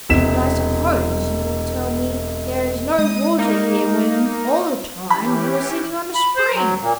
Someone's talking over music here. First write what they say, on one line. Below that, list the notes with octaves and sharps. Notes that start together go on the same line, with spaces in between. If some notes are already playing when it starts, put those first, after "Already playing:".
"And I suppose you will tell me there is no water here, when all the time you are sitting on a spring."
E1 C3 B6 E7
G#3 D#6
A#3 D#4
E3 C#4 G4 B5
B5
C5
F#3
A#2